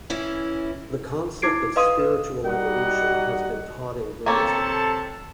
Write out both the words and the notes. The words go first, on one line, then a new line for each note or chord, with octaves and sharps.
The concept of spiritual evolution has been taught in Buddhism.
E3 C#4 E4
D#4 E4 D6 G#6 C7 D7
B4 D#5 F5 C6 D#6 D#7
B4
G3 D#4 F#4 D#5 F#5
C3 A#3 C#4 A4 A5